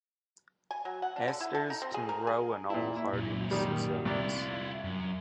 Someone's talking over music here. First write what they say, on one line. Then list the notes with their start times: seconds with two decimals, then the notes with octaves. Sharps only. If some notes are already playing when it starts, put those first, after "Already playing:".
Asters can grow in all hardiness zones.
0.71 G#5
0.85 F#3
1.02 F#5
1.16 D4
1.28 D3
1.40 E4
1.55 A4
1.70 D#4
1.82 C4
1.94 G#4
2.09 A#4
2.27 G#4
2.70 A#2 E4
2.96 E4
3.13 F#2 A#2
3.51 D#3 G3
4.05 C2 E4 F4 D5
4.84 F#2